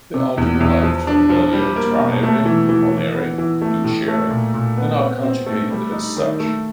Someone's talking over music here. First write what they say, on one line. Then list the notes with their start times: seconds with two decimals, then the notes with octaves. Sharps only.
They are derived from earlier "trahere, ponere, ducere" and are conjugated as such.
0.14 C3
0.38 E2
0.60 E2
0.83 F3
1.07 D4
1.30 F3
1.53 G3
1.76 A#3
1.99 B2
2.23 A3
2.45 E3
2.69 E3
2.92 E3
3.15 B3
3.38 E3
3.62 A3
3.84 A2
4.08 A3
4.31 A#2
4.54 A#2
4.77 B3
5.00 C4
5.23 C4
5.46 A3
5.70 G3
5.93 D#4
6.17 D#3
6.40 A3